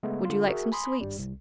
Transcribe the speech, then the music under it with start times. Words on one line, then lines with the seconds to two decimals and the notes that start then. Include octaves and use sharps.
Would you like some sweets?
0.03 C#3 G#3 A3 B3
0.25 D3 F4
0.48 F#4 G#4 A#4 E5
0.72 G#5 B5 C6 D#6
1.01 G#1 G2 G3
1.19 C2